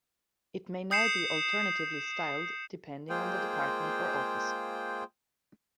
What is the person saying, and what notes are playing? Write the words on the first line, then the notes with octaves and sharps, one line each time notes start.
It may now be alternatively styled, depending on the department or office.
D#6 G6 C7 C#7 E7
G#3 A#3 F4 G#4 C5 G5